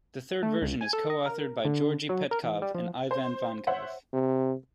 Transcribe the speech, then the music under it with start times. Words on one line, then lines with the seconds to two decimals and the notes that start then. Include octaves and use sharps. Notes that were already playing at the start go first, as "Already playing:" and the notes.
The third version is co-authored by Georgi Petkov and Ivan Vankov.
0.43 A3
0.62 C#2
0.81 G#5
0.93 A4
1.10 D#5
1.26 A#4
1.65 D3
2.09 F#3
2.31 A#4
2.44 E3
2.62 G3
2.75 F3
3.11 C5
3.67 C5 C#5 E5 F#5
4.13 C3